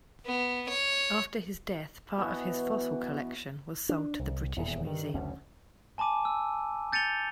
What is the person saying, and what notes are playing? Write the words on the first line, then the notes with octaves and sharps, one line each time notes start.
After his death part of his fossil collection was sold to the British Museum.
B3
C#5
B2 E3 B3 F#4
D4
C2
D#1 E2
G2 D#3
F#1 D2 C#4
G#5 A5 B5 D6 D#7
E6
G6 A6 C#7 D#7 F7 G7